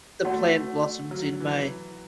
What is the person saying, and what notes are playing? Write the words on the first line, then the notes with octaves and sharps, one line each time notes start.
The plant blossoms in May.
A3 F#4 C#5 F#5
F#3
E3